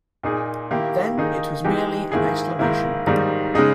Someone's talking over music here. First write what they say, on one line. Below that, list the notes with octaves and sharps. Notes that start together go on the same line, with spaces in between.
Then it was merely an exclamation.
A#2 A#3 D#4 G#4
D#3 A#3 E4 G4
D#3 A#3 D#4 G#4
E3 G#3 D#4 G4
G#2 D#3 A#3 E4 G#4
G#2 D#3 A#3 E4
G#2 D#3 G3 A#3 D#4
C#3 G#3 D#4 G#4